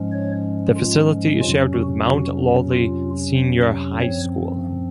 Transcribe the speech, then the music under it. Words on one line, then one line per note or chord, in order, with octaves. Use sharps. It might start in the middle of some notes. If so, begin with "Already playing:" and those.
The facility is shared with Mount Lawley Senior High School.
Already playing: G#2 F3 G#3 C#4
C#5
F4
F2 C3 F#3 C#4 F4
F#4
F#4
F4
F#2 F3 C4 C#5